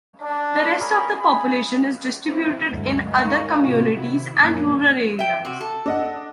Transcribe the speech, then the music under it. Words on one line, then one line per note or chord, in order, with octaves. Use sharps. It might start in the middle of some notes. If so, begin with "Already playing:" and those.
The rest of the population is distributed in other communities and rural areas.
D4
C#4 G#4 A#4 B5
G#4 B5
C4 E4
D2 G2 F#3 G#3 A3
D#4 A#4
A2 C3 F4 F#4
C3 D#3 E4
F#2 A#2 F3 A#3 C#4 D4
E5 G5
C3 F#4
A4
D4 D#5 F#5